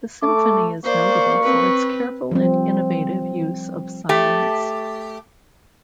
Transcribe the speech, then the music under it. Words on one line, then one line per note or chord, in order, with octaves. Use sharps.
The symphony is notable for its careful and innovative use of silence.
A3 D6
A#3 C5 D5 C#6
C4 B4
F3 G3 C4
A3 G4